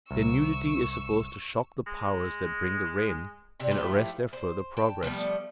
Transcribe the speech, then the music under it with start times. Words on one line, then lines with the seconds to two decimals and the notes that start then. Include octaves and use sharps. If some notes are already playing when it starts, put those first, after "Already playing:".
Their nudity is supposed to shock the powers that bring the rain, and arrest their further progress.
0.11 C2 C#6 E6
1.87 G#3
3.60 C3 D4 G4
3.71 F3 A3 E4 G4
4.33 C5
4.77 G5 A5
5.03 F3 G3 A3 B3